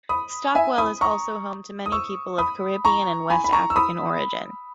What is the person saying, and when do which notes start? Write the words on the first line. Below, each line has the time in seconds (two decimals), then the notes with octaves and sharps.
Stockwell is also home to many people of Caribbean and West African origin.
0.09 B5 D#6
0.55 E5 G#5
0.78 B5 D#6
1.01 A#5 C#6
1.86 D#6
1.92 C#6 E6
2.38 B5 D#6
2.85 A#5 C#6
3.30 G#5 B5
3.44 B5
3.52 A#5 C#6
3.70 E6
3.76 B5 D#6